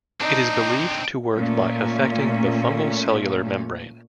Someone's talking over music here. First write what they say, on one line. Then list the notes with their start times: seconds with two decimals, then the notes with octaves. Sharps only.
It is believed to work by affecting the fungal cellular membrane.
0.20 C4 D4 D#4
1.35 A#2 A3 C#4